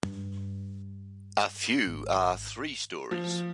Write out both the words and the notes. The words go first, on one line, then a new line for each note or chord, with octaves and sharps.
A few are three stories.
G2
G#1
F3